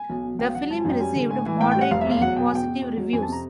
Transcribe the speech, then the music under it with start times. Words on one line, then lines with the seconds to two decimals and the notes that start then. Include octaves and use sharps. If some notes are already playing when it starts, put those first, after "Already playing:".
The film received moderately positive reviews.
Already playing: G#5
0.10 B1
0.24 B2
0.39 B1 G5
0.49 F5
0.55 F#3 F#5
0.70 G#1 A5
0.79 G#5
0.85 F#2 G5
1.00 G3 G#5
1.15 D3
1.30 A2 G#5
1.46 E3 G#5
1.60 A2 G5
1.71 G5
1.75 G3
1.81 F#5
1.91 F1 F5
2.01 E5
2.06 E2 F5
2.17 F5
2.21 F#3 F#5
2.36 B2 G5
2.45 G#5
2.51 E2 G5
2.67 B2
2.81 E2
2.97 F#3
3.13 F2 G#5
3.22 A5
3.28 C3 A#5